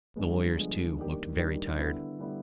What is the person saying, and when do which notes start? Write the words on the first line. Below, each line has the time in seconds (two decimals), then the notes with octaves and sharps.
The lawyers, too, looked very tired.
0.16 G2 D3 F3 G#3 B3
0.56 G2 D3 F3 G#3 B3
0.97 D#3 G3 A#3 D4 G4
1.38 D#3 G3 A#3 D4 G4
1.78 D3 G3 B3 E4
2.19 D3 G3 B3 E4